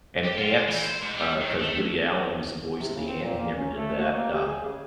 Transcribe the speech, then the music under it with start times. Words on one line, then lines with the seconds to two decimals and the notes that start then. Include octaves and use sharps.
and Ants, uh, 'cause Woody Allen was the voice of the ant, he never did that, um,
0.25 G4
0.38 F4
0.68 E3
0.82 C5
1.02 G#2
1.17 G3
1.41 D#3
1.60 A3
2.80 C3
2.95 C#3
3.08 C4
3.22 A#2
3.39 A#3
3.56 C#4
3.77 A3
3.98 F#4
4.13 A#3
4.32 G4
4.47 G#4
4.65 C#3